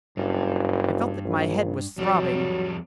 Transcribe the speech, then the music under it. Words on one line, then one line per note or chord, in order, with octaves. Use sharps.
I felt that my head was throbbing.
F#1 G2
A#1
F2 F#3 G3